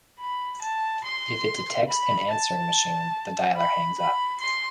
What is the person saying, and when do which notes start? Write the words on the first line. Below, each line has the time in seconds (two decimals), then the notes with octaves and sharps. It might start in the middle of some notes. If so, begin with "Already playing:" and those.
If it detects an answering machine, the dialer hangs up.
0.20 B5
0.62 A5
1.04 C6
1.89 B5
2.31 A5
3.57 B5
3.98 B5
4.40 C6